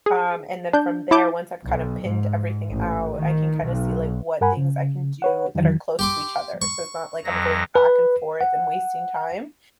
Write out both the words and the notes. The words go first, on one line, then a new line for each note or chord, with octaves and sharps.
um, and then from there, once I've kind of pinned everything out, I can kinda see, like, what things I can do that are close to each other, so it's not like I'm going back and forth and wasting time.
G#4
D4 G6
E4 A5 D6 G6
B1
G#2
A1
D#3
B1
G2 A#4 F#5 G#5 B5
C#3
B4 C#5 F#5
F2 D#3 E3 F#3
G4 C6 D6
C#6
F2 F#3 A#6
B4
F#5